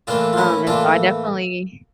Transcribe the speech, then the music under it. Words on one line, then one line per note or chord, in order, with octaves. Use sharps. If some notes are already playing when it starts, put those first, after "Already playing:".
um, and so I definitely
A2 E3 A#3 D4 F4
F4
C#4 E4
A2 E3 A#3 D4 F4